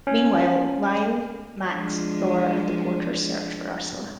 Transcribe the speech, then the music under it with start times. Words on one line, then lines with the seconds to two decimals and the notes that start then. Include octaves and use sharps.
Meanwhile, Lyle, Max, Thor, and the porters search for Ursula.
0.07 C#4
1.70 F3 G#3 D4